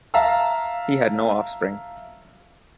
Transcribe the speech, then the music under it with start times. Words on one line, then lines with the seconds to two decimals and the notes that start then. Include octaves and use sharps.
He had no offspring.
0.14 E5 F5 A5 A#5 E6